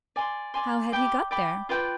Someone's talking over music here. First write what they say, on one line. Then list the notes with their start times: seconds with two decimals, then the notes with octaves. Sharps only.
How had he got there?
0.16 D5 G#5 C6
0.54 D5 G#5 C6
0.92 D5 G5 B5 D6
1.31 D5 G5 B5 D6
1.69 F4 B4 D5 G5